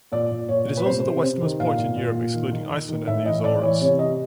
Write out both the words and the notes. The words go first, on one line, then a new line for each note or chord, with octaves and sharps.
It is also the westernmost point in Europe excluding Iceland and the Azores.
A#2 D5
A#2
A#2 C#5
A#2
B4
C3 C5
C3
C3 C5
D#3
A#2 F5
A#2
A#2
A#2
D#3
D#3
D#3
D#3
A2 E5
E3 D#5
A2 D5
E3 C#5
C3 C#5
C3 D#5